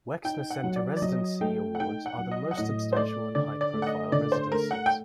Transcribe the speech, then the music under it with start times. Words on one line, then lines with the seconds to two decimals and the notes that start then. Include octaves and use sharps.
Wexner Center Residency Awards are their most substantial and high-profile residencies.
0.24 D#4 G5
0.50 F#5
0.64 F#3
0.76 D5
0.97 D5
1.02 F#3 D#5
1.41 A3 G5
1.75 F#5
1.80 D#4 G5
2.06 F#5
2.18 F#3
2.31 D#5
2.51 F#5
2.57 A2 D#5
2.93 C5
2.96 A3 D5
3.35 D3 D5
3.61 D5
3.74 A3
3.82 F#5
3.87 D#5
4.12 D3 D5
4.32 C5
4.52 A3 A#4
4.71 F#5
4.86 G5